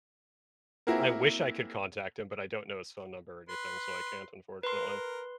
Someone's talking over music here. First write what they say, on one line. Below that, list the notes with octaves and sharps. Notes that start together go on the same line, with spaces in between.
I wish I could contact him, but I don't know his phone number or anything, so I can't, unfortunately.
A#3 C4 E4 F#4 G#4 A#4
B4 C6
A#4 B4 C6